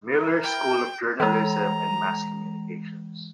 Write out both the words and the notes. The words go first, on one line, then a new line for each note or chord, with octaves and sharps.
Miller School of Journalism and Mass Communications.
E4 A#4
G5
E3 G#3 A#5